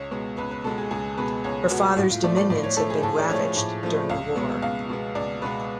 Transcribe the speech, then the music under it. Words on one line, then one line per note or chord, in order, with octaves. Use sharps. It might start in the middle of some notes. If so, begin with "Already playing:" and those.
Her father's dominions had been ravaged during the war.
Already playing: C#2 C#5
B2 G#3 B3
C#2 B4
B4
B2 G#3 B3 A4
G#4
C#2 G#4
B2 G#3 B3 B4
C#2 C#5
B2 G#3 B3 F#4
A2 F#4
F4
F3 A3 D5
D5
A2 D5
C#5
F3 A3 A4
G#4
A2 A4
D5
F3 A3 C#5
A2
F3 A3
C#2 F5
B2 G#3 B3
C#2 F5
B2 G#3 B3
C#2 D5
B2 G#3 B3 B4